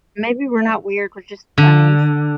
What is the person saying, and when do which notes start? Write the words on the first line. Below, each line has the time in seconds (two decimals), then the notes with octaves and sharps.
Maybe we're not weird, we're just bunnies.
1.58 D3